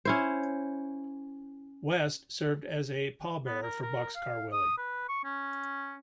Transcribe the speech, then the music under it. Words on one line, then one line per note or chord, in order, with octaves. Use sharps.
West served as a pallbearer for Boxcar Willie.
C#4 E4 C5
B3
A#4
A#4
F5
D#6
B4
C#6
C#4